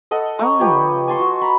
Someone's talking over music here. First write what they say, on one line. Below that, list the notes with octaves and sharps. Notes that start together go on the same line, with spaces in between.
Oh, yeah.
A4 D#5 F#5
A#5 C#6
F3 G4 B4 C#5
G#5 A5 C6 C#6
F#4
A#5 B5